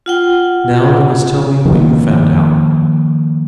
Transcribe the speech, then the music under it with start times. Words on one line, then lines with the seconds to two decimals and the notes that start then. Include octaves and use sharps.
"Now you must tell me what you found out."
0.06 F4 F#5 G5
1.65 D#3 F3 A3 A#3